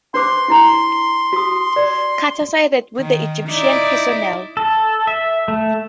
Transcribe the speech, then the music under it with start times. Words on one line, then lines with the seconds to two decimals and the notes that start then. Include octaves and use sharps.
Carter sided with the Egyptian personnel.
0.14 D4 C5 C6 D6
0.48 D4 E4 A#5
1.33 F#4 D#6
1.76 D5
2.98 D#3
3.49 D#4 E4 D5
4.57 A4
5.07 E5
5.48 A3